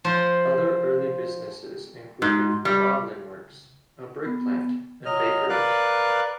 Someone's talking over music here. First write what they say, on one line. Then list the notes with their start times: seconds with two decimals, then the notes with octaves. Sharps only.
Other early businesses included a bottling works, a brick plant, and bakeries.
0.04 F3 F4 C5
2.22 G#2
2.65 G3
4.25 B3
5.05 F#3 D#5 F6
5.49 A#4 B4 D5 F5 F#6